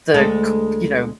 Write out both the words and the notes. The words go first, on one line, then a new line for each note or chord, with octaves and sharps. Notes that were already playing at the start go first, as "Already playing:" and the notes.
the c you know,
D2 G#3 A4